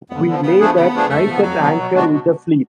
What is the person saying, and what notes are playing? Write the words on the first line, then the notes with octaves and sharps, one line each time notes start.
We lay that night at anchor with the fleet.
F2 B3
D3 F3
C#3 B3
F3 A3 D4 G#4
C#3 B3
F3 A3 D4 G#4
F2 A3
F3 B3
F2 F#3
F3 B3
B2
G#3 B3 D4 F#4
B2